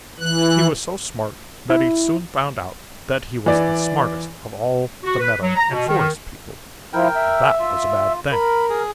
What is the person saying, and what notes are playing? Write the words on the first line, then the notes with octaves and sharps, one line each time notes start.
He was so smart that he soon found out that he was the smartest of all the meadow and forest people, and that was a bad thing.
E3 F#6
E4
E3 D5
F#4
B4
F#3
A#5
B2
D#3
F3 E4 A#4 G5
E5
F4
A#4 B5
G#4